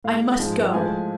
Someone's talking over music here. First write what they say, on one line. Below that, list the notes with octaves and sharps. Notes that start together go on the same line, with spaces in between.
I must go ...
A2 G#3 F5
G#2 F3 G#3
A2 F3 G#3 G#5